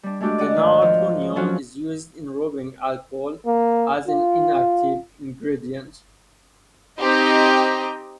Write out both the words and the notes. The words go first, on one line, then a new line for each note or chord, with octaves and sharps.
Denatonium is used in rubbing alcohol as an inactive ingredient.
G3 D4
G#3 A3 D4 F#4 G4
D5 D#5 F#5
G#2 D#3
F3
F3 F#3 C#4 F#4
A#3
F4
C4 D#4 G4 D#5 G5 A#5